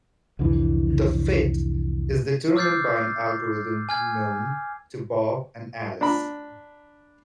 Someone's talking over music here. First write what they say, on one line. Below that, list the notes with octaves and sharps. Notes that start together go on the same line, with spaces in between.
The "fit" is determined by an algorithm "known" to Bob and Alice.
C2 F2 D3 E3
D6 E6 F6 G6 A6 C7
G#5 F6 G#6
D4 A#5 B5